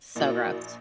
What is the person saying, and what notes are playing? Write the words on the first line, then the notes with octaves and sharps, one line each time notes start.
so gross.
A#1 A#3 E4 F#4 F#7